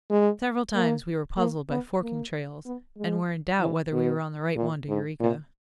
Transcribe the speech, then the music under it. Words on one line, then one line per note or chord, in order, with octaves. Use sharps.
Several times we were puzzled by forking trails, and were in doubt whether we were on the right one to Eureka.
G#3
A#3
A#3
B3
A#3
B3
G#3
E3
B2
A#2
G#2
A#2